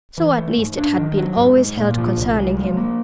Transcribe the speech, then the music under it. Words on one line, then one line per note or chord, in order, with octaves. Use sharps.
So, at least, it had been always held concerning him.
E3
A3
G#2
D4
D#3
F#3
G#2
G#2
A#2
F3
C2
G#3
F3
A#3